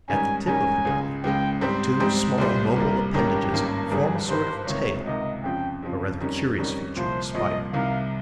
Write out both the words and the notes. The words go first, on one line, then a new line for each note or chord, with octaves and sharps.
At the tip of the belly, two small, mobile appendages form a sort of tail, a rather curious feature in a Spider.
G#2 D#3 G3 C#4 G#5
G#2 D#3 G3 C#4 G#5
C#2 C#3 G#3
C#2 C#3 G#3 G5
G#2 G3 C4 G4 C5
G#2 G3 C4 G4
C2 A#2 G3 C5
C2 A#2 G3 A#4
G#1 G2 D#3 A#3 C#4 G4
G#1 G2 D#3 A#3 C#4
G1 G2 D#3 G3 G#4
G1 G2 D#3 G3 C5
C#2 C3 D#3 C#5
C#2 C3 D#3 D#5
F2 C#3 F3 G5
F2 C#3 F3
F2 D#3 G3 C#4
F2 D#3 G3 C#4
C2 A#2 F3 C5
C2 A#2 F3 D#5
C2 C3 D#3 F5